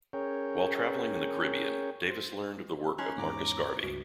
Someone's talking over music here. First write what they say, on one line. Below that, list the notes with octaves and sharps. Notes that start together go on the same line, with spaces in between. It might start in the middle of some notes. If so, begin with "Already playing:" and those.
While traveling in the Caribbean, Davis learned of the work of Marcus Garvey.
C#4 G#4 A#4 C#5 G5
C5
C#4 D#4 G#4 C6 F#6
E2 G#2 A#5 D6
C#2 G2 F#4